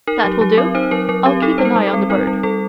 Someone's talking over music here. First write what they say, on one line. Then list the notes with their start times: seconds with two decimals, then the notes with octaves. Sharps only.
"That will do; I'll keep an eye on the bird."
0.07 D#4 A#4
0.24 F#3 G4
0.41 F#3 G4
0.58 C4 A#4
0.75 D#4 C5
0.91 F#3 A#4
1.09 F#3 A#4
1.25 C4 G4
1.42 D#4 A4
1.58 G3 C5
1.65 A#4
1.76 G3
1.87 A4
1.93 C4
2.10 D#4 A#4
2.27 G3
2.43 G3 A4